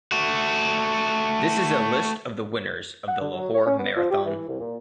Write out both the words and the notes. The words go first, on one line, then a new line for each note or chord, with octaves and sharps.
This is a list of the winners of the Lahore Marathon.
A3 F#4
F#5
D3
F#3
C#5
C#4
B3
F3
G4
E3
C2
A#2